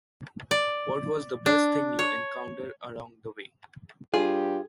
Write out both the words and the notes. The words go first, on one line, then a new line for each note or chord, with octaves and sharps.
What was the best thing you encountered along the way?
D5
D4
C#5
G2 F4 G4 G#4